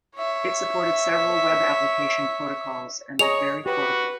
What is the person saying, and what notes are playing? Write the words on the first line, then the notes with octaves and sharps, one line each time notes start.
It supported several web application protocols and was very portable.
C#5 E5
G#4 C#5 D#5 A#5 F7
F#4 G4 B4